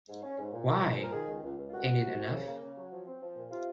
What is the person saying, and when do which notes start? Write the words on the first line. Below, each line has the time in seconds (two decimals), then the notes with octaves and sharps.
Why! — ain't it enough?
0.09 G#2
0.23 C#4
0.39 G#2
0.53 A#2
0.68 A#2
0.82 A#2
0.97 F3
1.04 A#4
1.12 D#3 G#4
1.27 C#2
1.43 C#2
1.58 C#2
1.67 F4
1.72 C2 F#4
1.87 C2
2.02 C3
2.18 C2
2.32 C#3
2.47 A#3
2.62 C#3
2.77 F#3
2.92 F3
3.07 C4
3.22 F3
3.36 A#2
3.51 C3 F4